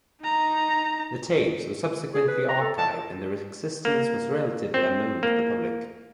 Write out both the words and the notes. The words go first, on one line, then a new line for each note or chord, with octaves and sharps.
The tapes were subsequently archived and their existence was relatively unknown to the public.
D#4 A#5
G#4
B4
A#5
A4
A5
A#3
C4
A#3